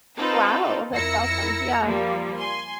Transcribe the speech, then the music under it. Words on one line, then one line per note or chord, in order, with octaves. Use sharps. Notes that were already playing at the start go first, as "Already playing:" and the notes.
Wow, that's awesome. Yeah.
C4 D#4 F4 A4 B4
F2 E4 A#4 E6 A#6 C#7
F3 G3 A#3
G#5 C6